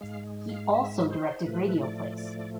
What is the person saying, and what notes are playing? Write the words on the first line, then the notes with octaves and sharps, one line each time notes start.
He also directed radio plays.
G#2 G#3 F5
F5
E5
C5
A2 F3 A3 B4
D5
D5